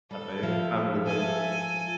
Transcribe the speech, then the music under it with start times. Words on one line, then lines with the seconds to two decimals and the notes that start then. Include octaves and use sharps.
uh, they I don't really get it.
0.11 G3 A4
0.43 F3 E5
1.05 A4 G#5